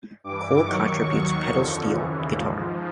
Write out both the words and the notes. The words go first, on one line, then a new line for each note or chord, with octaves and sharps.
Cole contributes pedal steel guitar.
G2 E3 D6
D#2 D#3 F#3 C#6
D#2 D#3 F#3
F2 D3 F3
D#2 C#3 E3
G#2 F3